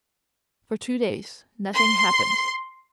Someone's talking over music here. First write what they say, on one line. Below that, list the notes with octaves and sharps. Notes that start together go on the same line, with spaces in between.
For two days nothing happened.
C6